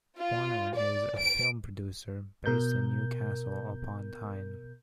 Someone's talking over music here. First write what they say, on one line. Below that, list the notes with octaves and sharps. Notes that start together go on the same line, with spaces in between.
Horner is a film producer based in Newcastle upon Tyne.
F4
D5
D7
B2 A#4 G6